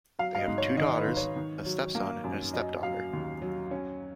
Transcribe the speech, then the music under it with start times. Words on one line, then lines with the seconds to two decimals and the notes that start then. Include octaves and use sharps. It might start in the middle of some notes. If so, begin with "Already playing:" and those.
They have two daughters, a stepson and a stepdaughter.
0.19 F#3 F5
0.35 F5
0.39 D#5
0.48 G#2
0.58 C#5
0.77 D#3 D#5
0.97 B4
1.07 D#3
1.17 C#5
1.36 D#3
1.65 F#3
1.95 A#3
2.24 F#2
2.53 F#3 D#5
2.83 F#3 F5
3.13 D#2
3.42 F#3
3.71 C#4